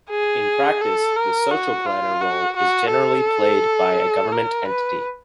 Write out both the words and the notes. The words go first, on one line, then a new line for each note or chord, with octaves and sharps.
In practice, the social planner role is generally played by a government entity.
G#4
A4
A#4
F#4
F4
F#4
F#4
A4
A#4
B4